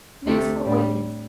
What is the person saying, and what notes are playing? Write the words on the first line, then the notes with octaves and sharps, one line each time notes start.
Mix for ointment.
D2 C3 A3
A2 G3 D4